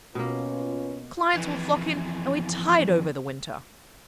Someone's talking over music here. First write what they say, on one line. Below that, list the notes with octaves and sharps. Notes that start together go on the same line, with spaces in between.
Clients will flock in; and we tide over the winter.
B2 A#3 C#4 F4 B4
F2 E3